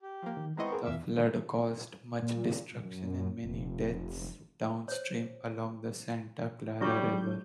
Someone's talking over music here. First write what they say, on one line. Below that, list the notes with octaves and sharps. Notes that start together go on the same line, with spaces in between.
The flood caused much destruction and many deaths downstream along the Santa Clara River.
G4
F3 A#3
D#3
G#3 B3 C4 E4 D#5 A#5 C6 C#6
G#4 A#4
E2 B2 E5 F5 E6
A#2
F#2
F1
C5 C#5
F#3 G3 D4 F4 G4 C#6 G6